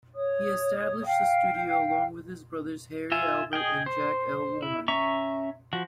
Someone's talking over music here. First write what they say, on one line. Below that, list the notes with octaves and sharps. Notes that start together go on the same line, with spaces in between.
He established the studio along with his brothers Harry, Albert, and Jack L. Warner.
C#5 D#6
F5 G5
F4 E5 G#5
G#4 D#5 G5
C5
E4
C#4 E5 A#5 C#6
F3 F#4